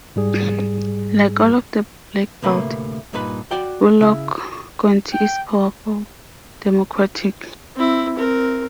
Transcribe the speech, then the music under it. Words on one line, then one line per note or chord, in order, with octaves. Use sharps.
Like all of the Black Belt, Bullock County is powerfully Democratic.
G#2 G3 G#4
D2 A2 C3 A#3 B4 B5
G2 A#2 D#4 B4 B5
F#4 D5 G5
C#3 E4
G5
C4 E4
C4 A#4